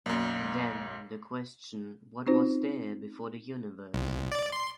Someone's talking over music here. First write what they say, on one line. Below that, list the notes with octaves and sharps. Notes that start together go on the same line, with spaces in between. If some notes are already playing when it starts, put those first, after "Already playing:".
Then, the question What was there before the Universe?
B1 F#2 A#3 D5
C4 C#4 D#4 F4 F#4 C5
C2
D5
C6